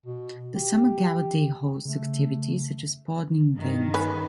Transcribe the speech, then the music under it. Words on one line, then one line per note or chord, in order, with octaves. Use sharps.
The summer Gala Day hosts activities such as sporting events.
B2
G4
C#3 A3
G2 D#3
C#4 B4